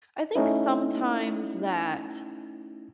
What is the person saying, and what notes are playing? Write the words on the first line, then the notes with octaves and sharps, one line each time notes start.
I think sometimes that,
A3 C#4 D#4 E4